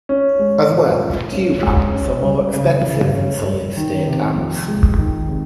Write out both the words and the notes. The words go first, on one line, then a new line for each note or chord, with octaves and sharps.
As well, tube amps are more expensive than solid state amps.
C#4
G#3
A#2
F4
C#4
G#3
C#4
G3
C#3
C#3
C#4
G3
D#3
C3
F2
G#3
D#3
C3